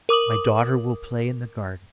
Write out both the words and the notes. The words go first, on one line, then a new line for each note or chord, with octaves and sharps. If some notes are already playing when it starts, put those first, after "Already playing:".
My daughter will play in the garden.
A#4 D6 D#6 F#7